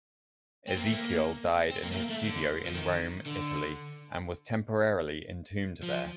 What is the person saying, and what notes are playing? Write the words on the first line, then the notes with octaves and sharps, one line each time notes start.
Ezekiel died in his studio in Rome, Italy, and was temporarily entombed there.
C4
A#3
A3
A#3
C4
A#3
A3
A#3
A3
D3
F3
D#3
D3
F3